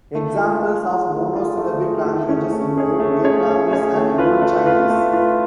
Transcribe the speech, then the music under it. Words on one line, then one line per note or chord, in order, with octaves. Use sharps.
Examples of monosyllabic languages include Vietnamese and Old Chinese.
A3
F4 G#4
A3
F4 G#4
A3
F4 G#4
A3
F4 G#4
A3
C#4 G#4 C#5
A3
C#4 G#4 C#5
A3
C#4 G#4 C#5
A3
C#4 G#4 C#5
A3
F4 B4
A3
F4 B4
A3
F4 B4